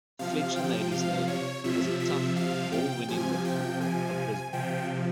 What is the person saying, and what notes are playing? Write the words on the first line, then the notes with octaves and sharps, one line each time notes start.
Fletcher made his name as a tough, ball-winning midfielder at Brisbane.
C3 F3 F5
G5
F5
C#5
C3 F3 E5
E5
F5
G5
C3 F3 G#5
G5
G#5
C3 F3 G5